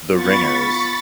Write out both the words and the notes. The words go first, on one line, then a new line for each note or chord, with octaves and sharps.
The ringers.
B3 F4 B5 C#6 A6